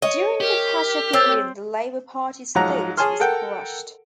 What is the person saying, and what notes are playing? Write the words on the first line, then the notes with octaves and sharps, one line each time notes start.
During the Thatcher period the Labour Party's vote was crushed.
C#5 D#5
G4 A#4
C4 C#5 E6 A6
G#2 F3 F#3 F#5 A#5
G#4 C#5 G#5 A5 C6 F6
A4 A#4 F#5 G5